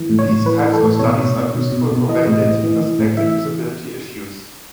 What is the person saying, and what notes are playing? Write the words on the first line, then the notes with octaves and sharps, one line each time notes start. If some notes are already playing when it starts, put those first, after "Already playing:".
These types of studies are useful for validating suspected usability issues.
Already playing: E3
A2
C#5
A2
E3 B4
E3
A4
A2
B2 C#5
B2
B2
B2
B2
B2
E3 D#5
A2
A2
E3
E3
A2
E3 E5